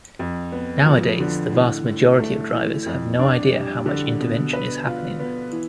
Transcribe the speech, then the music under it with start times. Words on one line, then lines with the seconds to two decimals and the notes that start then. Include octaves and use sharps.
Nowadays, the vast majority of drivers have no idea how much intervention is happening.
0.19 F2
0.52 B3
0.86 F3
1.20 D3
1.53 A2
1.86 A2
2.19 A3
2.53 E3
2.86 F2
3.19 D4
3.53 G3
3.86 D3
4.20 B2
4.53 B4
4.86 F4
5.19 B3
5.52 E3